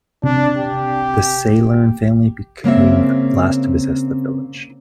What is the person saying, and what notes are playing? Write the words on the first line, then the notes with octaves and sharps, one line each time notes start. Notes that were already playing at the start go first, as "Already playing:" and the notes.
The Seilern family became the last to possess the village.
C3 D4
G4
C#3 A#3 C4 E5